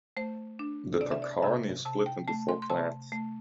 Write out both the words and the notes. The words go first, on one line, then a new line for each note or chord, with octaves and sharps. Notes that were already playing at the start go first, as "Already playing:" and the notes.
The Tarkani is split into four clans.
A3 C5
D4
C3 D5
E5
D5
C3 E5
C3 A5
G5
A3 A5
C6
C6
C3 A5
A3